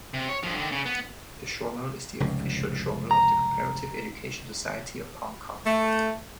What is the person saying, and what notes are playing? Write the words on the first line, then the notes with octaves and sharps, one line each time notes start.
The journal is the official journal of the Comparative Education Society of Hong Kong.
C3
C#5
G2 F3
D3 D#3
C#3
B3
F1 C#2 G#2
A#5
A3